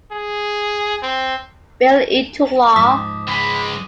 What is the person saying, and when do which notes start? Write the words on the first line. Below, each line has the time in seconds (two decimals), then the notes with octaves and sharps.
Bill into law.
0.12 G#4
1.02 C4
2.76 G#2 F3 D6 D#6 B6
3.28 C#2 G#3 B5